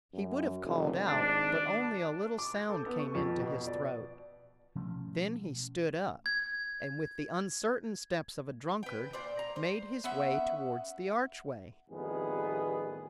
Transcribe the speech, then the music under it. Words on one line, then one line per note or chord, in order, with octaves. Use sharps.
He would have called out, but only a little sound came into his throat. Then he stood up, and, with the uncertain steps of a drunkard, made his way towards the archway.
F#2
F1
G#1 D4
D6
G6
A4
B3
C#6
F2
B2
D5
B2 F3 A3 C#4
G#6
B4 G5
A#2 C5 D5
A#5
C5
B3 C#4 E5 F#5
A1 F2 D#3 G3 B3 G#4